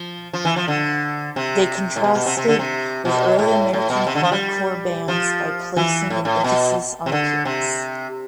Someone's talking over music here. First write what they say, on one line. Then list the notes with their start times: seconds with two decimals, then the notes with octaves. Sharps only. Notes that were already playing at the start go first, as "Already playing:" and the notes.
They contrasted with early American hardcore bands by placing an emphasis on appearance.
Already playing: F3
0.33 F3
0.45 E3
0.56 F3
0.68 D3
1.36 C3
1.96 A2
2.04 B2
2.15 B2
2.26 C3
2.37 C3
2.48 D3
2.59 C3
3.05 B2
3.39 A2
3.73 A2
3.90 B2
4.07 C3
4.15 D3
4.23 F3
4.32 G3
5.08 F3
5.77 E3
6.10 A2
6.25 A2
6.44 B2
7.06 C3
7.12 D3
7.45 C3